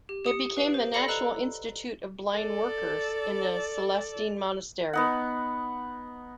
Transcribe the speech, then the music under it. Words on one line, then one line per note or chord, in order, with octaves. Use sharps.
It became the National Institute of blind workers in a Celestine monastery.
G4
G4 D#6 C#7
B4 F5
C5
A4 D5 F5 B5 C#7 G7
A4 D#5 A#5 E6 F#6
A4 D5
B3 D#4 F#5